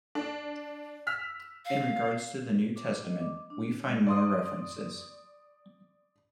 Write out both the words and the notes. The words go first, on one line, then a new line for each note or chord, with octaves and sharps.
In regards to the New Testament we find more references.
D4
E6 F6 B6
F5
D6
D#5
D6
D4
G#3
D5 C6 D#6